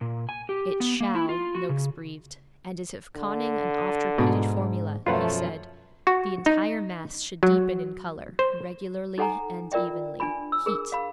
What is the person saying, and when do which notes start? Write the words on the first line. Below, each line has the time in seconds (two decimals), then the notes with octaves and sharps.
'It shall!' Noakes breathed; and as if conning an oft-repeated formula, he said, 'The entire mass should deepen in color, regularly and evenly. Heat!
0.01 A#2
0.29 G#5
0.49 G4
0.80 B3
1.00 A#3
1.15 E4
1.29 F4
1.55 F#4
1.69 C#3
3.16 D3
4.18 G#2 B2 D4
5.06 F#2 B2 F3 A3 F4 B4 F#5
6.07 F#4
6.46 D#4
7.43 F#3
8.39 C5
9.18 D#4 A4 F#5 G#5 A#5
9.72 F4 A#4 D5 E5 G5
10.20 D4 G#5 B5
10.52 E6
10.66 G#4 A#4
10.92 F5 B5